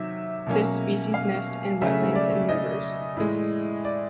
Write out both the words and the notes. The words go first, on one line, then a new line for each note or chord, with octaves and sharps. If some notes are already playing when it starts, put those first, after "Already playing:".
This species nests in wetlands and rivers.
Already playing: C3 D#3 F#3 E5
B2 F#3 A#3 C#4
F5
C#3 F#3 A3 C#4 E5
D5
D#5
A2 E3 G#3
D5